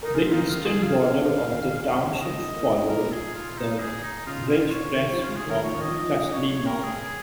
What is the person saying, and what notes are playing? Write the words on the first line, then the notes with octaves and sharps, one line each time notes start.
The eastern border of the township follows the ridgecrest of Tussey Mountain.
D#4 A#4
F4 G#4
D#4 F4
D#3 F4
F3 G#4
F3 F5
D#3
C#3
D#3 D#5
G#3
F3
A#3
G#3
F3 A#4
G#4
F4
D#4
G#4
D#4
C#3 F4
F4
F3
C#5
D#3
F3
F4
G#3
G#4
D#3
A#4
F3 C#5
D#3
D#5
F3
D#5
D#5
C#5
C#5
A#4
G#4